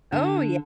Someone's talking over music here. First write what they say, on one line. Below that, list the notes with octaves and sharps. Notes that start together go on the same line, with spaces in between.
Oh, yeah.
D3